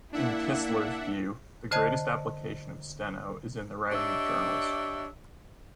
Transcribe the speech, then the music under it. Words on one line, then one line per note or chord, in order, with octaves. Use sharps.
In Kistler's view, the greatest application of Steno is in the writing of journals.
A#3 D4 E4 E5 F#5
D3 C5 D#5 A5 F#6 G#6
D4 G4 C#5 D#5 E5